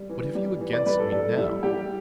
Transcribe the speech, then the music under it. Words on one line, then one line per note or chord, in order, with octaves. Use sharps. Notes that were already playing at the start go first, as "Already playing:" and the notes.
What have you against me now?
Already playing: G3
E3
G3
E3
D5
G3 B4
A4
G3 A4
G3 E4
G3 G4